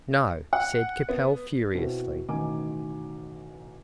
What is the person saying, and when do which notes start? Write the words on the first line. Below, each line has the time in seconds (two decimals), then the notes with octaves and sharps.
"No," said Capel, furiously.
0.53 F#5
1.09 B3
1.74 B2 C4 E4
2.29 A1 B2 D#3 D#4 G#5 D6